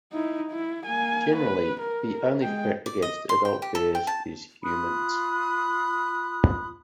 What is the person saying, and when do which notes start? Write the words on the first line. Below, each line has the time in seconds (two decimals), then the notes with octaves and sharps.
Generally, the only threat against adult bears is humans.
0.12 D#4 E4
0.51 E4
0.86 A#3 G#5
1.37 B4
1.81 A#4
2.42 G#3 G5
2.86 D5
3.02 D#5
3.29 C6
3.45 G5
3.62 G4
3.75 A4
3.95 G5
4.07 A5
4.63 F4 B5 D#6 F#6